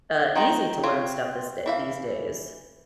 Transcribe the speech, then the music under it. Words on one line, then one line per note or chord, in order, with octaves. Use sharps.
uh, easy to learn stuff this da these days.
D#3 C4 D#4 G5 A#5
C4 F4 C#5
E3 E5 F5